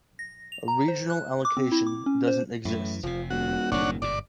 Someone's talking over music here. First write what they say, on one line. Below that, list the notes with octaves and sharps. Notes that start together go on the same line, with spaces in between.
A regional allocation doesn't exist.
A#6
F7
A#5
C5
F#6
D6
C4
E4
D6
C#4
C5
F#2 A2 E3
F1 C3 F3
D#1 F#4
F#1 A2 D#3 D4 C#5 F#5
G1 G#2 B2 D5